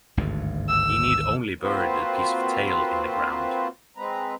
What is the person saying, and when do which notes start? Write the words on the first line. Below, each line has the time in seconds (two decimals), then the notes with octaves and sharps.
He need only bury the piece of tail in the ground.
0.17 G#1 D2 G2
0.69 E6
1.62 A#3 C4 F4 F#4 B4 C5
3.97 G#3 C4 B4 A#5